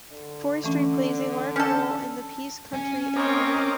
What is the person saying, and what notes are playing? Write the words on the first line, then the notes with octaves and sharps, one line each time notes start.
Forestry plays a large role in the Peace Country economy.
D3
E3 A3 C#4
C#4 A4 F6 G6
C#4
C4 A#4 C#5 D#5 D6